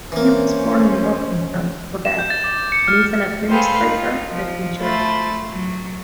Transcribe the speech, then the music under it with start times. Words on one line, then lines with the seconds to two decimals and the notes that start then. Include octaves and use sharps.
He was born in Buckingham, Quebec and is an administrator, and a teacher.
0.12 E3 A#3 C#4 C5
2.05 E7
2.19 G6
2.30 A6
2.44 D6
2.72 C#7
2.88 F6
3.50 G#4 A4 B4 C5 F5 G5
3.79 D#4 F4
4.31 F3
4.80 A3 F4 A4 C5 B5 A6
5.49 F#3